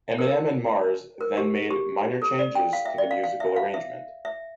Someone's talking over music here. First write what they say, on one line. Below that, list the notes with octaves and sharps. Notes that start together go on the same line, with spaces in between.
Eminem and Mars then made minor changes to the musical arrangement.
A#4
A#4
G4
G4
A4
D5
G5
F5
E5
D5
F5
F5
E5
F5
E5
E5